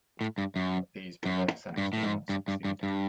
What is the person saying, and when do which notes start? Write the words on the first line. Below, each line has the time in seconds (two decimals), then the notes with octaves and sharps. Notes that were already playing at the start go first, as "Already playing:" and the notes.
But these perverse acts will not succeed.
0.21 A2
0.38 G2
0.56 F#2
1.26 F#2
1.77 G2
1.93 A2
2.03 G#2
2.29 G2
2.48 G2
2.65 G2
2.83 G2